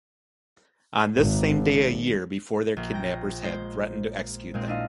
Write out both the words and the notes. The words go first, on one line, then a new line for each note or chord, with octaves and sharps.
On this same day a year before their kidnappers had threatened to execute them.
G#1
A#1
G5 A#6
G#3 C5
A#2 G#3 C4
D4 E4 D#5 F5